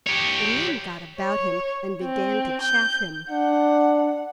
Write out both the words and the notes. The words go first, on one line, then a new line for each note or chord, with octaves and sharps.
The men got about him, and began to chaff him.
G4 C#5
C#5
C4
G6
D4 F#5